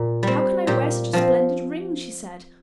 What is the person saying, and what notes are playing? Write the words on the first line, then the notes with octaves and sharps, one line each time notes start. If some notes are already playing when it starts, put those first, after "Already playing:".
"How can I wear such a splendid ring?" she said.
Already playing: A#2
G3 C4
A#2 G4
F3 C4